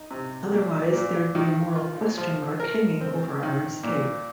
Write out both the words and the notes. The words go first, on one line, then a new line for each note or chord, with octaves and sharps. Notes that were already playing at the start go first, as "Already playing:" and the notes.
Otherwise there'd be a moral question mark hanging over our escape.
Already playing: D#4
C3
A#2
A#2
D#3
F4
F3
A#4
C4
D#3
A#2